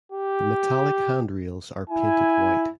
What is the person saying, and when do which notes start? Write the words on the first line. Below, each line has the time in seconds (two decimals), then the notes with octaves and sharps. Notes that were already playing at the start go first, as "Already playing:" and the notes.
The metallic handrails are painted white.
0.12 G4
1.90 E4 G#5